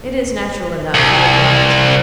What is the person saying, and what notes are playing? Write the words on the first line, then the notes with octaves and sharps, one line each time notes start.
"It is natural enough," he replied.
C2